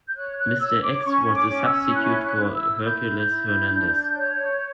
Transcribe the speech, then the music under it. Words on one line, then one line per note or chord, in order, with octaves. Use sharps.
Mr. X was a substitute for Hercules Hernandez.
G6
C#5 F#6
F#6
C#5 E6
D6
C#4 C#6
D6
C#4
E6
E4 F#6
F#6
E4
F#6
E6
E4 G6
E4
D4
C#5